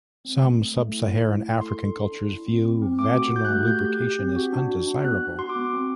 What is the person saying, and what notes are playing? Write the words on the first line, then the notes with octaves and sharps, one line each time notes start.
Some sub-Saharan African cultures view vaginal lubrication as undesirable.
C4
A3
A3
A3
E4
E4
A3
E4
A4 C6
A4
D4
D4
E4
C4
C4
C4
A3 D6
F#4
F#4 G6
A3 F#6
G4 G6
G4
G4
C4
F#4
D4
F#4
D4
B3 F#6
B3
F#4 C6
D6
B3
C4